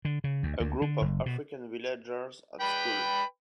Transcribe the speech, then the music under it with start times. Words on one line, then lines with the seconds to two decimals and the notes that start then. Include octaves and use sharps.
A group of African villagers at school.
0.05 D3
0.24 C#3
0.43 D2
0.60 D2
0.82 D3
1.02 F#1
1.26 B2
2.61 B4 G5 B5